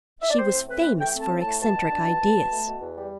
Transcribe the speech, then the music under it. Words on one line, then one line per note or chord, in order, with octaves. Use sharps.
She was famous for eccentric ideas.
E5
D5
C4 C5
A2
C4 B4
E3
A3 G5
C4
A5
A2
A5
A3
B2 A5
B2
D4
B2
B2
B2
A3
B2
E2
G3